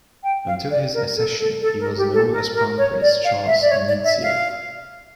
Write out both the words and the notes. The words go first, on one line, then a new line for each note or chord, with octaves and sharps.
Until his accession, he was known as Crown Prince Charles Ndizeye.
G5
F5
D5
A#4
A4
A4
A4
A#4
G4
A4
A#4
A#4
C#5
D5
F5
E5
D5
C#5
D5
E5
F5